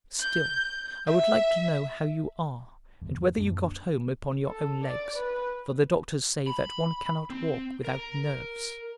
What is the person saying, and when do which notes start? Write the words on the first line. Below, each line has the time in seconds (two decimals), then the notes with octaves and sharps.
Still, I would like to know how you are and whether you got home upon your own legs, for the doctors say that one cannot walk without nerves!
0.19 G6
1.07 E5
3.01 D1 E2 G2 D3
3.36 D#1 F#2 A#3 D4
4.47 A4
4.84 D5
5.16 B4
6.47 B5
7.30 C4
7.85 A#4